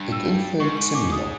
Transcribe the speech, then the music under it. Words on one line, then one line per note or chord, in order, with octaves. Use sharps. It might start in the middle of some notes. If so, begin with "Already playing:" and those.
It influenced Simula.
Already playing: G2
E6
G#2 C#6
C#6
D6
D#6